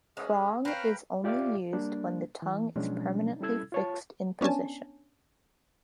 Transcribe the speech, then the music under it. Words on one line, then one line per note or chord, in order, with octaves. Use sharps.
Prong is only used when the tongue is permanently fixed in position.
G#3 C#4 G#4
C4 C#4 B4 F5 G5 A#5 B5
F4 G4 D5 E5 F5 D6
G3 A#3 D4
E3
B2 F3 F#3 G#3 C#4 D4
G3 C#4 E4 A4 E6 G#6
F4 C#5 A5
B3 C#4 D4 G#5 A5